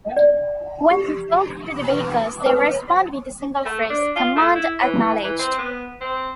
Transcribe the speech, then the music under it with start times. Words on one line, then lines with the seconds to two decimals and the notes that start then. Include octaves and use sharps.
When he talks to the vehicles, they respond with a single phrase, "Command Acknowledged".
0.17 D5
0.91 G4
1.90 B4
2.46 B4
3.66 A3
3.90 D4
4.16 F4
4.36 A3
4.56 E4
4.82 E3
5.24 E3
5.39 C4
5.58 B3
6.01 C4